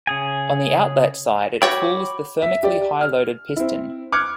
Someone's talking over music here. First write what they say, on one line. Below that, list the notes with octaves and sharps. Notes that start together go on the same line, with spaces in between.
On the outlet side it cools the thermically high loaded piston.
C#3 G#4 G#5
F#4 C#5 G5 B5 D6
E5
G4 D5
F6
C4 E4
D6 F6 F#6 G#6 C#7